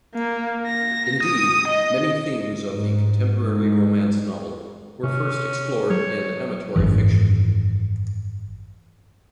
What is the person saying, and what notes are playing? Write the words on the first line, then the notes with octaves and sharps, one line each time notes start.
Indeed, many themes of the contemporary romance novel were first explored in amatory fiction.
A#3
A#6
D#6
D#5
G#2
G#2
C3 C#4
F#3 C#5
G#1 F#2 E3